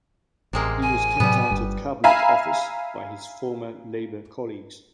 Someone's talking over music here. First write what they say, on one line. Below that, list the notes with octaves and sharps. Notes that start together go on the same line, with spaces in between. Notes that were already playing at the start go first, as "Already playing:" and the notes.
He was kept out of cabinet office by his former Labour colleagues.
A1 C3 G#3 A#3
G#5
A2 C3 F#3 G3 B3
G1 G2
E5 F5 G#5 A#5 B5